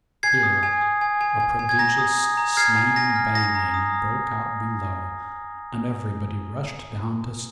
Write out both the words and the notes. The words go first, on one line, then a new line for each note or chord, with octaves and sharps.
Here a prodigious slam-banging broke out below, and everybody rushed down to see.
G#5 G#6 C7
D#6
G#5
D#6
G#5
G#5
G#5
G#5
G#6
A#5 A#6
D#6
D#6
A#5
F6 G#6 C7
G#5
G#5 A#6
F6
D#6 A#6
A#5
D#6